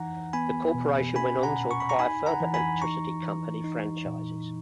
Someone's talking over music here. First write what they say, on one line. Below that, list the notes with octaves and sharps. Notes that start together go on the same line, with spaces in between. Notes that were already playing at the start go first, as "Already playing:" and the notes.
The corporation went on to acquire further electricity company franchises.
Already playing: E3 D#4 F#5 A#5
B3 G#5 B5
B2
C#4 G#5 B5
F#5 A#5
A#2
C#6
B5
A#5 C#6
D#4 G#5 B5
F#5 A#5
E3
G#5 B5
D#4 A#5 C#6
E3
D#4
A#2